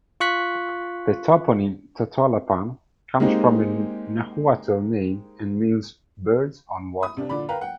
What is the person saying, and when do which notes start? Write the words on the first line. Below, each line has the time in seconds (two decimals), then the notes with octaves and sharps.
The toponym "Totolapan "comes from a Nahuatl name and means "birds on water".
0.20 F4 C#6 F#6 B6
3.20 G#3 A#3 C4 D#4 G4
7.02 B5 D#6
7.17 C3 D4
7.29 A#2 D3 D5 B5
7.49 A#4 B4 F5 G5 A#5
7.61 F#5 G5